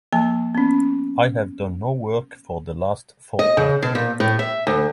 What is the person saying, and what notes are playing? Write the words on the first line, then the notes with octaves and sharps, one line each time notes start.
I have done no work for the last fortnight.
F3 A#3 A5
B3 C#4
D#5
C#3
B2
A#2
A2
E5
D2